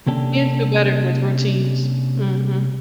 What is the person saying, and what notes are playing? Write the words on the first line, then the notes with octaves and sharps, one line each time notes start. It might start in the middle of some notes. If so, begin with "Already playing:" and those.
Kids do better with routines. Mhm.
C3 A#3 C#4 D4 G4 A4